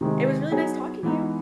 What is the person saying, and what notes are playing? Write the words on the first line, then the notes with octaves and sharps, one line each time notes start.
it was really nice talking to you.
C3 D#3 G#3
F#3 B3 D#4 G#4 C#5
E3 G#3 B3 D#4